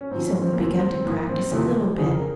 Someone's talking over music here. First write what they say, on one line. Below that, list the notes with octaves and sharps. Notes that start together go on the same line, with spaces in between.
He's only begun to practice a little bit.
C#4
G#2 F3 C4
C#4
C4
A#3
F2 E3 C4
C4
C4
G#2 E3 A#3
C4
E2 C3 F3
F2 C#3 E3 G#4
A#4